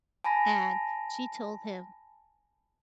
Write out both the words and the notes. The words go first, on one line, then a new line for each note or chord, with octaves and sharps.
and she told him,
G#5 A5 B5 A#6